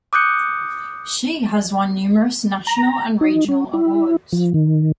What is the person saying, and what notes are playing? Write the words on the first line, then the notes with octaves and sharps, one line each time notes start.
She has won numerous national and regional awards.
D6 D#6 F#6 G6 C#7
A#5
D#4
C#4
E4
F3
D#3